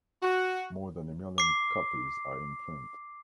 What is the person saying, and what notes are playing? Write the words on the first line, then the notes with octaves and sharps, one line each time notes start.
More than a million copies are in print.
F#4
D6 C7